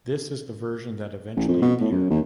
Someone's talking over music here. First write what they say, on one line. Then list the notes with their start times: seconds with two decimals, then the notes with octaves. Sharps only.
This is the version that eventually appeared.
1.36 A1
1.48 F2
1.62 B2
1.81 A2
1.92 F#2
2.10 D#2